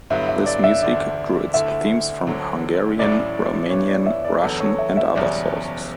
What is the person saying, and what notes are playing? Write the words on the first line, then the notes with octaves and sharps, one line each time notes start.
This music drew its themes from Hungarian, Romanian, Russian and other sources.
G2 D3 F#3 B3 E4 E5
E5
D5
E5
E1 D2 D3 D5
D2 D3 A3 E4 E5
D2 D3 F#3
A1 A2 F#3 C#4 E4 D5
G2 E3 B3 C#5
D5
E5
D5
E2 D3 F#3 B3 A4
C#5
E5
E5
F#1 E2 B2 G3 C#4 D5